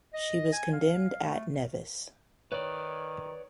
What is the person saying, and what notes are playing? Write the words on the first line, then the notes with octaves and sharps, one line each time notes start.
She was condemned at Nevis.
D#5
G#5
F5
A3
D#3 B4 C#5 D5